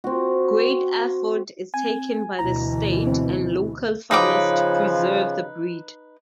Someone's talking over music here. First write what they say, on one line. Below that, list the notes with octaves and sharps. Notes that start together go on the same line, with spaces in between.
Great effort is taken by the state and local farmers to preserve the breed.
C4 F#4
C4 G#5
D2 B2 E3 E4 A#5
C4
C#3 F3 D#4 B4 D6